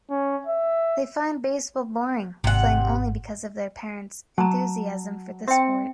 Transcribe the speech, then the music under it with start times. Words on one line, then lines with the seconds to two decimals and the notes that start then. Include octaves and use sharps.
They find baseball boring, playing only because of their parents' enthusiasm for the sport.
0.10 C#4
0.47 E5
2.44 G#1 C3 F#5
4.38 F#3 A5 A#5
5.48 C4 E5 G5